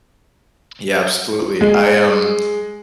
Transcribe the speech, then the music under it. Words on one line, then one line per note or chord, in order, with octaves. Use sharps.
Yeah, absolutely. I, um,
G#3